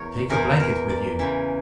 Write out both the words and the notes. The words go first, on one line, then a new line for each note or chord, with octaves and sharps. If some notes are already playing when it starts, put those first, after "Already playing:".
"Take a blanket with you."
Already playing: E2 E3 A#4 C#5
E2 E3 A#4
A#4
D5
E2 C#3 E3